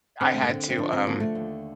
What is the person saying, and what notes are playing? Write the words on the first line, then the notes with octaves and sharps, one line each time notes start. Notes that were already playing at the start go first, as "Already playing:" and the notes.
I had to, um
D3 C4
A3
A#3
D3 C4
C4
F3 D4
C4
D3 A#3
A3
D#2